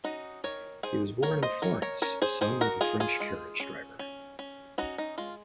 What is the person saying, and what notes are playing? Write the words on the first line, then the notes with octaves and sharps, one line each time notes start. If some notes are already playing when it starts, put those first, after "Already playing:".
He was born in Florence, the son of a French carriage driver.
C#4 D#4 F#4
D#3 A#4 C#5
D#3 G#4 C5
A#3 A#4 C#5
C5 D#5
D#3 A#4 C#5
A#4 C#5
C#4 A#4 C#5
G#4 C5
D#3 G#4 C5
F#4 A#4
D#3 F4 G#4
F4 G#4
G#3
C#4
C#4
C#4
C#4 D#4 F#4
D#4
G#3 F4